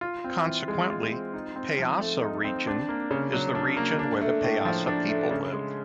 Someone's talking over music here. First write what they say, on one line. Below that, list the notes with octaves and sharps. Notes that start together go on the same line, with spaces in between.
Consequently, "Paisa Region" is the region where the Paisa people live.
F4
C4
E3
G#3
F4
C4
D#4
C4
F3
A3
D#4
C4
D4
A#3
C#3
F#3
D4
A#3
D4
A3
A2
F3
D4
A3
C#3
G#3